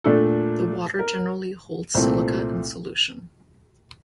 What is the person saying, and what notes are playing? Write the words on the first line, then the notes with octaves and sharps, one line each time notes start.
The water generally holds silica in solution.
A#2 A3 D4 A4
A#4
C2 A#2 A3 C4 C5